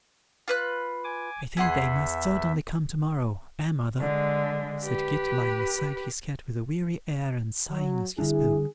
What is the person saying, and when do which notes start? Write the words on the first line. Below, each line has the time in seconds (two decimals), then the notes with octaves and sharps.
'I think they must certainly come to-morrow, eh mother?' said Kit, laying aside his hat with a weary air and sighing as he spoke.
0.48 F4 B4 F#6
1.04 G#5 D6
1.57 E2 G#4 E5 F#5 C6
4.00 D3 G#3
4.83 G4 B4
7.71 F#3
8.18 D3 G3 D4 E4 G#4